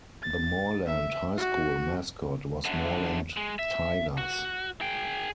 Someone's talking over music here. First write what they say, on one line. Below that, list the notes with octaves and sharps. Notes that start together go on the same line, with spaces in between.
The Morland High School mascot was Morland Tigers.
A6
E5
F#4
F#2 D3
G#3
E5
F#4
G#4 G5